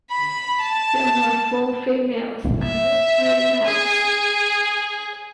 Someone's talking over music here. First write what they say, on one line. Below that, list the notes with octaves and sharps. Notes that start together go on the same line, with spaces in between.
There were four females and three males.
B5
A5
E5
G#4